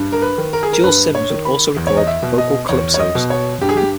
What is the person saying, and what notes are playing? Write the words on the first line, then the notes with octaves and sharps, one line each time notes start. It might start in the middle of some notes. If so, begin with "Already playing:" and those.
Jules Sims would also record vocal calypsos.
Already playing: G2
A#4
B4
D#3
A#4
G#4
A#4
G2 B4
C#5
D#3
B5
E2
C#5
D#5
E5
B2
D#5
E2 C#5
C#5
D#5
B2
C#5
G2 G4
G#4
G4